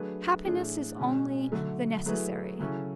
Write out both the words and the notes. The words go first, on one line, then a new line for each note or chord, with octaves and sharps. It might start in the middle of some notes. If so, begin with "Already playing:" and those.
Happiness is only the necessary.
Already playing: F#3 A3 D4 G#4 B4
A2 E3 A3 D4 G#4
B2 G#3 C#4
D3 F#3 A3
F#3 A3 E4 G#4 B4
C#3 F#3 C#4 E4 A4